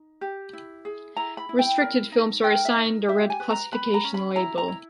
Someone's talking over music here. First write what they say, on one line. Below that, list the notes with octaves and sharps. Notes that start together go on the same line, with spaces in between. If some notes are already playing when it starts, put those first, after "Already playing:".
Restricted films are assigned a red classification label.
Already playing: D#4
G4
E4
G#4
E4 A#5
B5
E4
G5
A#4
D#4
A#4 G5
E5
D#4
G4 E5
G#5
B4
A#5
B4 B5
A#5
C#4
B5
E4 A#5
A#5
E4